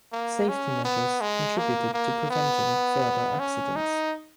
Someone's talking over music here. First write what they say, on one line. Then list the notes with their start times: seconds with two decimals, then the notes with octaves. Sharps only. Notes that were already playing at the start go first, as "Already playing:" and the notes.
Safety measures contributed to preventing further accidents.
0.12 A#3
0.48 C#4
0.85 B3
1.21 G#3
1.58 A#3
1.94 A#3
2.31 B3
3.39 C#4
3.76 D#4